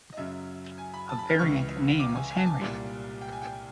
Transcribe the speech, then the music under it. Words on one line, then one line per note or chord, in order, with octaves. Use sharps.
A variant name was "Henry".
D#5
F#2 C#3 F#3 E5
G#5
B5
A5
B5
F6
C#2 C#3 E3 C#6
D6
G#5
G#5
A5
G#5
C2 A#2 G3
G5
G#5
G5